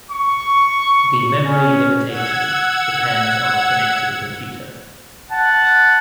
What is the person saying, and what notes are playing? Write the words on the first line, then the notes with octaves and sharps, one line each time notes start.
The memory limitation depends on the connecting computer.
C#6
C#4
F#5 E6 G#6
F#5 A5